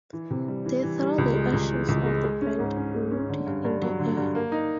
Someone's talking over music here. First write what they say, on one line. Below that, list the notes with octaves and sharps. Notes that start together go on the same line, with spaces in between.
They throw the ashes of the burnt wood in the air.
E3
C3
G3
E3
E3
G3
C#2
G#3
C#2
E3
C#2
G#3
G#3
C#4
G#2
C#4
G#3
C#4
D3
G2
G2
F#3
D3
G2
A#3
D#4